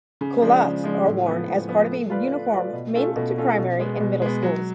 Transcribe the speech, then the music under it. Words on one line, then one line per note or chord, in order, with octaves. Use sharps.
Culottes are worn as part of a uniform mainly to primary and middle schools.
C#3
F3 G#3 D4
C#3
F3 G#3 D4
A2
F3 B3
A2
F3 B3
A3
F4 B4 D5
A3
F4 B4 D5
B2
A3 C#4 F4 A4
B2
A3 C#4 F4 A4
B2
G#3 B3
B2
G#3 B3
F#3